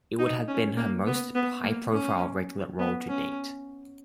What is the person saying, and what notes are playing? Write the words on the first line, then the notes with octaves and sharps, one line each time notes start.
It would have been her most high-profile regular role to date.
D#4
C#4
A#3
B3
B3
A#3
C#4
B3
C#4